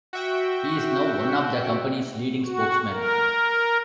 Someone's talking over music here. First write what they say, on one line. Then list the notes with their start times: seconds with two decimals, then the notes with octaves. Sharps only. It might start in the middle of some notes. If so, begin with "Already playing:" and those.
He is now one of the company's leading spokesmen.
0.13 F#4 E5 G5
2.45 F#4
2.91 A#4